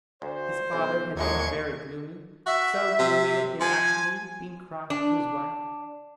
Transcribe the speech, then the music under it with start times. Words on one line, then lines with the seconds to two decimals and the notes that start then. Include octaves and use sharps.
His father had been very gloomy--so gloomy that he had actually been cross to his wife.
0.22 D2 C5
0.73 B1
1.17 A#1 D#2 A2 G#3 C#6 G#6
2.46 F#4 E5
2.99 C3
3.61 F3 G#5
4.90 D4